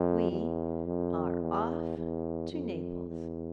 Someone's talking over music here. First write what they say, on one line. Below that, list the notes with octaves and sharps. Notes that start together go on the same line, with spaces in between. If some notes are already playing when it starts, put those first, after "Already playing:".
We are off to Naples.
Already playing: F2
E2
F2
E2
E2
F2
E2